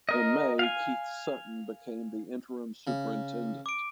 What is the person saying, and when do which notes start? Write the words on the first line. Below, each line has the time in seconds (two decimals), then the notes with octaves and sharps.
In May Keith Sutton became the interim superintendent.
0.09 A#4 D#5
0.59 F5 G#5
2.87 C#3
3.66 D6 D7